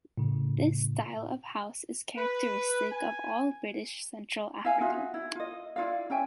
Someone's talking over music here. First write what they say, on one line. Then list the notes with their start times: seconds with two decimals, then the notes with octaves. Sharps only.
This style of house is characteristic of all British Central Africa.
0.17 A2 C#3
2.18 B4
2.92 G#5
4.65 E4 E5 F5 G#5
4.81 D#4 F4 F#4 E5
5.14 E4
5.35 F4 D#5
5.76 E4 F4 D5 F5
6.10 C#4 E5 G5 G#5